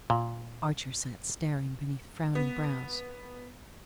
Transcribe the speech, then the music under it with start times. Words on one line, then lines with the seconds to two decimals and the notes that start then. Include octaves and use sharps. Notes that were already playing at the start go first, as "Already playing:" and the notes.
Archer sat staring beneath frowning brows.
0.10 A#2
2.35 B3